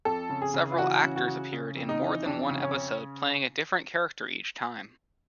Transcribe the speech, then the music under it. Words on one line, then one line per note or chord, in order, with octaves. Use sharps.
Several actors appeared in more than one episode playing a different character each time.
F2 A4
C#3
G#4
C#3
F4
E3 F#4
C#3
F#4
C#3
C#3
F2
D#4
E3
F2 D4
C#3
C#4
C#3